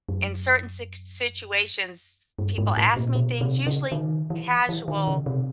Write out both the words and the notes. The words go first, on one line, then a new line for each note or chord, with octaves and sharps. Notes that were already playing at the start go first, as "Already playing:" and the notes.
in certain sics situations people ask me things Usually casual
F#2
G2
G#2
A2
A#2
B2
C3
C#3
D#3
E3
E3
D#3
C#3
C3